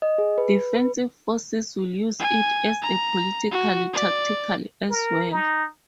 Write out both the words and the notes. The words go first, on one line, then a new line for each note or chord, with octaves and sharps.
Defensive forces will use it as a political tactic as well.
D#5
G#4
B4
B4
G#5
A#5
F#4
D5
A#4
D#4